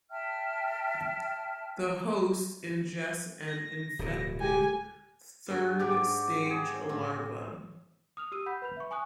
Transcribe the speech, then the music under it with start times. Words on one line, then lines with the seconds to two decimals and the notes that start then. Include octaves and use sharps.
The host ingests an infective third stage larva.
0.11 E5 G5 A5 F6
3.47 A#6
3.99 D1 B2
4.41 G4 G#5
5.49 G2 F#4 G#4
5.79 G#2 F#4 G4 D5 D6
6.46 C4 G#4
6.89 A2 C4 F4
8.17 D#6 F6 F7
8.32 G4 E6 D#7
8.46 F#5 B5 G6 B6
8.62 B4 B5 G6 F7
8.77 E5 C#6
8.91 G#5 C#6 D#6 F#6